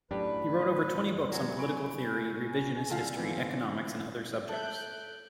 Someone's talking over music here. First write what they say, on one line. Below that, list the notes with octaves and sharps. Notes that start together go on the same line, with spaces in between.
He wrote over twenty books on political theory, revisionist history, economics, and other subjects.
F#2 A2 D4 G4 B4
F#3 G3 G#5
G#5 B5 C#6 D7
G#5
D3 F3 F5
E3 B3 C4
A4 E5 F#6 G6 D7